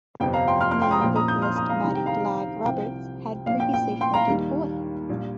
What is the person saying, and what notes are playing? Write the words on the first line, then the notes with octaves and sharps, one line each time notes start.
Main vocalist Matty 'Blagg' Roberts had previously fronted Oi!
G1 F2 C3 F3 G5
F5 A#5
G5 C6
C6 F6
C6 F6
G5 C6
A#5 D#6
A#1 A#2 F3 G5 C6
A#5 D#6
D#6 G6
C6 F6
A#5 D#6
F5 A#5
C2 C3 D#3 G3 A#5
G5
F5 A#5
C2 C3 F3 G5
A#1 A#2 F3 F5
G5
G5
G5 C6
F5 A#5
D#2 D#3 G3
A#1 A#2 G3